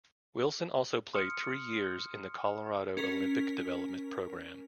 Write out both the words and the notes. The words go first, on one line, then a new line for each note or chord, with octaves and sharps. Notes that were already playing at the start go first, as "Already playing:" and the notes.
Wilson also played three years in the Colorado Olympic Development Program.
C6 D#6 F6 C#7
C#4 A#4 B6